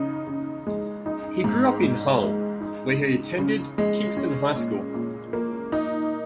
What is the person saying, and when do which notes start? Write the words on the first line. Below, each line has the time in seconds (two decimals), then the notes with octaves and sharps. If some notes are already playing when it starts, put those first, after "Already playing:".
He grew up in Hull where he attended Kingston High School.
Already playing: C#3 D#4
0.27 C#3
0.67 G#3
1.06 D#4
1.44 G#2
1.83 G#2
2.22 G#3
2.61 D#4
3.00 C#3
3.38 C#3
3.78 G#3
4.17 C#4
4.56 A#2
4.94 A#2
5.33 A#3
5.72 D#4